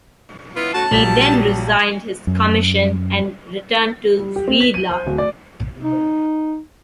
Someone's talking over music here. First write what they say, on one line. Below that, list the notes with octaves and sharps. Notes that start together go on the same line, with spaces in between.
He then resigned his commission and returned to Zuidlaren.
B3 E4 F4
A3 C#4 F#4 A5
A#1 C#3 F#3 G3 B6 F7
F#2
G3
G4
C4
B6
D#7
C5
D1
D5
D#4